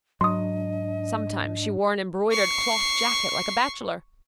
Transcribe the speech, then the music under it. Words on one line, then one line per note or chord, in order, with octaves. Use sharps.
Sometimes she wore an embroidered cloth jacket like a bachelor.
G#2 F#3 D4 D#5 C6 D#6
C#6 C7